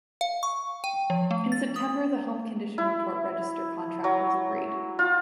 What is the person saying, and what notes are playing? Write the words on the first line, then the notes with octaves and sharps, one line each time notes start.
In September the Home Condition Report Register contract was agreed.
F5
C#6
G5
F3
A3
A6
D#6
E4
F#3
F4